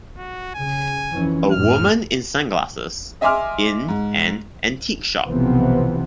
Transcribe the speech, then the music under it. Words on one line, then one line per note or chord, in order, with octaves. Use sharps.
A woman in sunglasses in an antique shop.
F#4
C#3 G#5
F2 E3 C#4
F#2 A2 F6
D#5 E5 G#5 C6 D6 F6
G#2
B1 C3 E3 F3 B3 C4